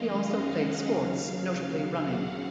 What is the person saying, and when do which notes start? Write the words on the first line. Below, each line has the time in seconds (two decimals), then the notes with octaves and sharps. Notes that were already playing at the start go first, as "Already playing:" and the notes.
He also played sports, notably running.
Already playing: F#2 D#3 G#3 C#4 D#5 F5
0.11 F5
0.49 F#5
0.86 D#2 C#3 F#3 F5
1.23 F5
1.98 F#5